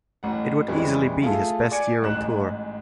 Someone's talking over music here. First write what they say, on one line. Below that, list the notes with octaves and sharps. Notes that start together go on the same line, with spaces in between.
It would easily be his best year on tour.
A1 F#5
F2 E3 G3 G#3 C#4
A3 F4 G#4 A4
D5 G#5 G#6 C#7 D7
A1 G#2 F#6 E7